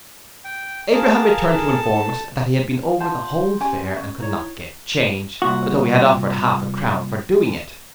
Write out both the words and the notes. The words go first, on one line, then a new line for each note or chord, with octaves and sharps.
Abraham returned to inform us, that he had been over the whole fair and could not get change, tho' he had offered half a crown for doing it.
G5
G#4 A#4 F5 A5
A4 A5
F4 F#5 A5 C6 G6
C#4 G4 G#5
C#4
D#4 E4 C#5
C2 A#2 F#4